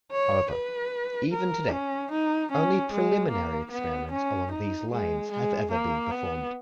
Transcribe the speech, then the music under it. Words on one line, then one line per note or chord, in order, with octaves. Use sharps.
However, even today, only preliminary experiments along these lines have ever been performed.
C#5
B4
A#4
C#4
D#4
C#4
G#3
A#3
B3
C#4
D#4
G#3
G#3
A#3
B3